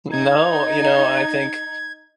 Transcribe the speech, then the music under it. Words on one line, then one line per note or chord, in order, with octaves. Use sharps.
N no, you know, I think
D#4 G#6